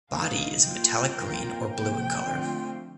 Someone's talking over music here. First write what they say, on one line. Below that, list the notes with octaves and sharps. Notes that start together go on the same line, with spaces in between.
Body is metallic green or blue in color.
D3 A3 D#4 F5
G3 A#3 F4 G5
F2 D#3 A#3 F4 A#4
C3 F3 A#3 G5
D3 F3 A3 C4 F4